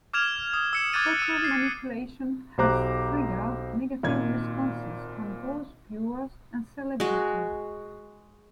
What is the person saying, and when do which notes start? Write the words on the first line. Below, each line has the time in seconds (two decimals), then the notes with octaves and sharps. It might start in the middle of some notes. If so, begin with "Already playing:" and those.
Photo manipulation has triggered negative responses from both viewers and celebrities.
0.13 D6 F6 G#6 E7 F7
0.54 D#6
0.73 E6 C#7 E7
0.93 D6 F#6 G#6 A6 D#7
1.19 E6 D#7
1.44 C7
2.58 B1 G4 C5 A#5 D6 F#6
4.03 G#1 A#2 G#6
7.00 G#3 F#4